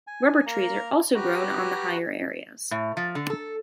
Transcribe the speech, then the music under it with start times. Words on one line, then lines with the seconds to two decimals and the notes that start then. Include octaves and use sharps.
Rubber trees are also grown on the higher areas.
0.07 G#5
0.46 A#3 A#4 A#5
1.15 F#4 G4 B4 A#5
2.71 A2
2.97 F3
3.15 D3
3.30 A4